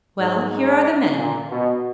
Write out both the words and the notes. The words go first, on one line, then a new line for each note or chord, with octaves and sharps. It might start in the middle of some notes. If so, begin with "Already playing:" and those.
"Well, here are the men."
G#2
A#2
B2